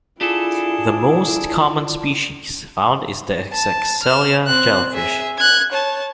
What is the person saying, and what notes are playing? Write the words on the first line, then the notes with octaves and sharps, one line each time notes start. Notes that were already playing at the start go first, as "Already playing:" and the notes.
The most common species found is the "Essexella" jellyfish.
D4 E4 F4 G#4 A4
A5
F6 E7
C4 F#6
G#4 E5
F#6 G#6
C#5 A5